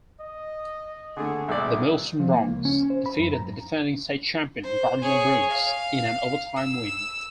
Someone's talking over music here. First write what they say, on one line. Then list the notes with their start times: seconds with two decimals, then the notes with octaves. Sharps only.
The Melstone Broncs defeated the defending state champion Gardiner Bruins in an overtime win.
0.20 D#5
1.17 D3 A3 G#4
1.48 B1 G#3 D5 E5
2.20 F3
2.34 A#3
2.48 C#2
2.65 C#4
2.90 C5
3.06 B5
3.19 F#2
3.33 A#5
4.63 C5
5.02 G#4 C#5
5.50 F5
6.56 E6